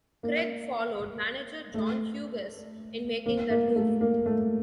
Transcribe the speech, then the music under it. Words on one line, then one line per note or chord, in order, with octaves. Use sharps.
Cregg followed manager John Hughes in making that move.
A#3
A3
A#3
A#3
A3
A#3
A3